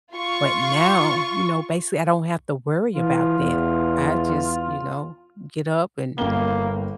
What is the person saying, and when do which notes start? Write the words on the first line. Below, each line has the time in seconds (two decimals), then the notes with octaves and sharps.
but now, you know, basically, I don't have to worry about that. I just, you know, get up and
0.13 F4 C#6
2.96 E3 F4
3.40 E2
6.18 G1 A#3 G5 G7